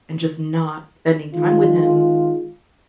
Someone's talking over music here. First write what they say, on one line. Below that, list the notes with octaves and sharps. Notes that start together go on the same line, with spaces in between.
and just not spending time with him,
D#3 G#3 F4